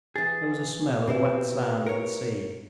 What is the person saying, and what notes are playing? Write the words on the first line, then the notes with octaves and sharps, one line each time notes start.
There was a smell of wet sand and sea.
E3 G#4 A6
B2 C4 E4 G4 B4 E5
A#4 C#5